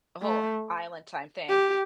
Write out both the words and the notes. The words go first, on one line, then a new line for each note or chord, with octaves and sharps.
a whole island time thing.
A3
G4